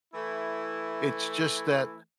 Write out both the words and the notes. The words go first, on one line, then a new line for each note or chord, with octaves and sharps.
It's just that
E3 A3 E4